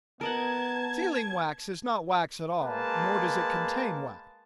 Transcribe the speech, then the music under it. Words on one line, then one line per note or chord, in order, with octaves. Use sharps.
Sealing wax is not wax at all nor does it contain wax.
B3 A#4 D#5 F#5 A5 G#6
G#3 A#3 B4 A5